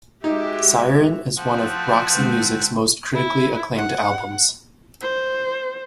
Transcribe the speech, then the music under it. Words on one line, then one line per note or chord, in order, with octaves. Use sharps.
"Siren" is one of Roxy Music's most critically acclaimed albums.
G#3 D#4 F#4 G4 E5
F3 A3 C4 F#4
D3 G#3
E4
F#5
C5